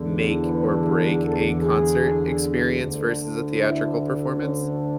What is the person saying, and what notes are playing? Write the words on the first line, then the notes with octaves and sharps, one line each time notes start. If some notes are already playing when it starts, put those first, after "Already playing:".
make or break a concert experience versus a theatrical performance?
Already playing: E2 D3
B4
A4
G#4
D2 D3
E4
C#4